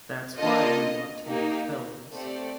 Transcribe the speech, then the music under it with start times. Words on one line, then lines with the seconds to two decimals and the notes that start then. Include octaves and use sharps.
That's why you want to make films.
0.38 A#3 D4 F4 A4 D#5
1.26 A#3 D#4 G4
2.13 A3 C4 G4 D5